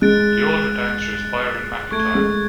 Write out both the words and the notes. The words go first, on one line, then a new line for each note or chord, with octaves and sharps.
The older dancer is Byron McIntyre.
G#3 F#6 A6 D7
A3 C#6 G#6 D7
G#3